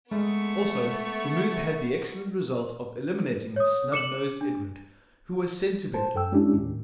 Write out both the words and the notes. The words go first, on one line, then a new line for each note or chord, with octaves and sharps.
Also, the move had the excellent result of eliminating the snub-nosed Edward, who was sent to bed.
G#3 A3 B3 C#6
C#5 D#6
D6 C#7 E7 F#7
D4
C5 A5
F#2 A4 G5 E6
G#3 C#4 D4 E4 G4
D#2 A2